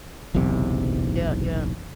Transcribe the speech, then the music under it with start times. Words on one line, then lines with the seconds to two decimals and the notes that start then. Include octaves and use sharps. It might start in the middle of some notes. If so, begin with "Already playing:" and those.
Yeah, yeah.
0.34 F#1 B1 E2 C3